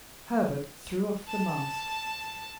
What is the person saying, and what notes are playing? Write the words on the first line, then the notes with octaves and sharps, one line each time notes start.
Herbert threw off the mask.
A5